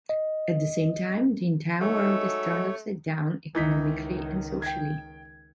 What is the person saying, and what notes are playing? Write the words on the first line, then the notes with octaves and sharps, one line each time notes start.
At the same time, the entire world is turned upside-down economically and socially.
D#5
F#3 G#3 A3 D#4 C#5 E6
C#2 D#3 E3 D#4 B6
G5 G#6